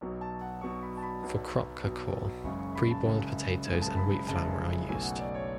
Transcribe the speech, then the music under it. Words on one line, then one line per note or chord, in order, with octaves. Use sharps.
For kroppkakor, pre-boiled potatoes and wheat flour are used.
B1 B2 F#3
A5
F#5
B1 B2 F#3 C#6
B5
A5
B5
B1 B2 F#3
B1 B2 F#3
F#1 F#2 C#3 G#3 C#6
C#6
B5
A5
F#1 F#2 C#3 G#3
F#1 F#2 C#3 G#3
A5
B5
B5
F#1 F#2 C#3 G#3 A5
B1 B2 A3 G#5
F#5
D5
C#5